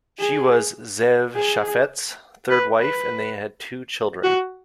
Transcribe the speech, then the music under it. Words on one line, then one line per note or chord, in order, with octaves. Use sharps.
She was Ze'ev Chafets third wife and they had two children.
G#4
G#4
B4
B4
F#4